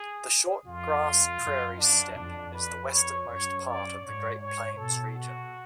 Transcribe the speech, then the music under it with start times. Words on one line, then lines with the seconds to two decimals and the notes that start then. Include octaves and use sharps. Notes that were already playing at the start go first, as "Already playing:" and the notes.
The shortgrass prairie steppe is the westernmost part of the Great Plains region.
Already playing: G#4
0.66 F2 F4
1.41 F#2
1.78 D4
2.16 F2 D4
2.54 B4
2.91 C#5
3.28 F#2 C#5
3.66 D5
4.03 G#2 C#5
4.40 C#5
4.77 B2 A4
5.15 F#4